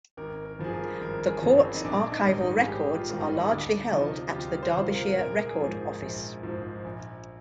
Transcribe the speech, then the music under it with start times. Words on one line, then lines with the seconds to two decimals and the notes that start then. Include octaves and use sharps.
The Courts' archival records are largely held at the Derbyshire Record Office.
0.17 G#1 A#4
0.45 A#4
0.59 G2 F3 G#4
0.73 A#4
1.01 G#1 A#4
1.29 G#4
1.43 G2 F3
1.57 C4
1.74 D#4
1.85 A#1 D4
2.12 D#4
2.26 G#2 D#3 G3
2.40 D#4
2.57 G#4
2.67 A#1 G4
2.95 F4
3.09 G#2 D#3 G3
3.24 D#4
3.51 D2 D4
3.93 C3 F3 D#4
4.27 G4
4.34 D2 F4
4.63 C5
4.77 C3 F3
4.91 A#4
5.18 A#1 A#4
5.46 G#4
5.60 G#2 F3
6.02 A#1
6.43 G#2 F3
6.85 A#1